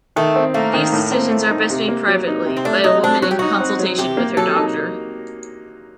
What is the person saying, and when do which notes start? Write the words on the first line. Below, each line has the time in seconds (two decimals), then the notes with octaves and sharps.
These decisions are best made privately by a woman in consultation with her doctor.
0.16 D#3 A3
0.36 C4
0.54 A3 A#3
0.74 D#3
0.93 A2
1.12 C4
1.31 A3
1.50 D#4
1.70 C3
1.88 A#3
2.08 F#3
2.27 D#4
2.46 C3
2.57 C4
2.65 A3 D4
2.84 F#3 D#4
3.03 C4 D4
3.22 F#3 F#4
3.31 G4
3.39 D#4 F#4
3.60 C4
3.79 F#3
3.99 C3 G4
4.17 A#3
4.37 F#3 A4
4.56 D#4